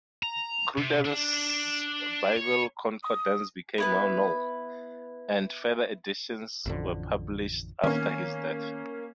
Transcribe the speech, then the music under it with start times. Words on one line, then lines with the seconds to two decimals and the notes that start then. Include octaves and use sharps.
Cruden's Bible Concordance became well-known, and further editions were published after his death.
0.23 A#5
0.78 C3
1.05 D4
2.36 C#5
3.03 D#6
3.78 B3 E4 B4
6.66 A1 F2 D3
7.83 D#3 A#3 B3 C#4